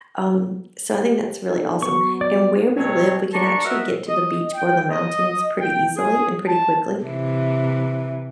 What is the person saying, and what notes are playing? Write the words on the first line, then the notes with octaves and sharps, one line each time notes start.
Um, so I think that's really awesome, and where we live, we can actually get to the beach or the mountains pretty easily, and pretty quickly,
G4
D4 D#4 A4
F#3 B3 C#6
D5
G2 B2 F#3 C4 G#4 C#5
D4 A5 A#5 C#6
F#4 A#4 B4 D#5 E5 E6
D#5
G5
D#5
G5
G#4
A5
C3 E3